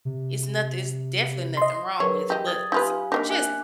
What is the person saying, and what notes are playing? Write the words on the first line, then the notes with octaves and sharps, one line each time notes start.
it's nothin it's definitely nothing wrong with it, but s just
C3
D#5 C6
F#3 G#4 A#4 B4 C#5
G4 D#5
D5 D#6 G#6 A6
D#4 F4 G4 B4 E5 F5 G#5
A#3 B3 D4 D#4 D#5 D6 B6
A#4 E5 G#5 D6 F#6